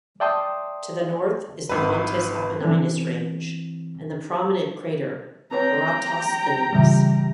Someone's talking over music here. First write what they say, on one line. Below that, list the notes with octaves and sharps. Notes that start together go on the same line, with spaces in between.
To the north is the Montes Apenninus range and the prominent crater Eratosthenes.
D5 E5 G5 A5 C6 D#6
G#1 B4
E3 C4
C4 B4 C#5 G5 A#5
A2 C#3 E3 G3 F4 E5